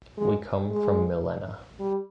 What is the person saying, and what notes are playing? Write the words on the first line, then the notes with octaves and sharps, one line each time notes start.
We come from Millena.
G#3
G#3
G3